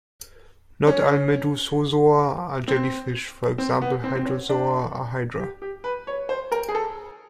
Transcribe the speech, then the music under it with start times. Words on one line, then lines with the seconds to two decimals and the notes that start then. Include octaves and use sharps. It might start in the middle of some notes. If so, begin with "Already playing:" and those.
Not all Medusozoa are jellyfish; for example, Hydrozoa are hydra.
0.87 C#4
2.68 C4
3.58 C4
3.82 B3
4.04 C4
4.16 C4
4.26 C#4
4.49 D4
5.40 G4
5.62 G4
5.84 B4
6.07 C#5
6.29 C5
6.52 A#4
6.69 G#4
6.75 A4